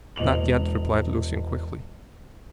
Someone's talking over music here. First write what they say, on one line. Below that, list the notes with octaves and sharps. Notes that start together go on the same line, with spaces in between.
"Not yet," replied Lucian quickly.
E1 D#5 F7 F#7